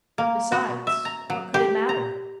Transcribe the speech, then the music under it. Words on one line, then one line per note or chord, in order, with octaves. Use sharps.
Besides, what could it matter?
A#3
F#4
E5
A#5
F#3
G4
A#5